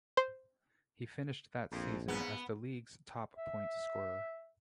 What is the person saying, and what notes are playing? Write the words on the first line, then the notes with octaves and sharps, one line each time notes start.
He finished that season as the League's top point scorer.
C5
A#1 F2
G#2 C#3 B3
E5